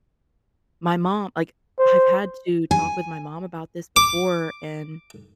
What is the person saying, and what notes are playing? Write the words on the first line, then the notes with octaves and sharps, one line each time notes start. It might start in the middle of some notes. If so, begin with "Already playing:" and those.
my mom like, I've had to talk with my mom about this before and,
C5
G#5
D6